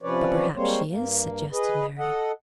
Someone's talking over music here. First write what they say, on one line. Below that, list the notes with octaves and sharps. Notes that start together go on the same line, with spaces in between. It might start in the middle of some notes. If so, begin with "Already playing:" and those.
"But perhaps she is," suggested Mary.
C3 F3 C#4 B4 C#5 D5
G3 G#3 A#3 C4 C5 C#5
G2 A#3
G#4 B4 D#5
A4 D#5 F#5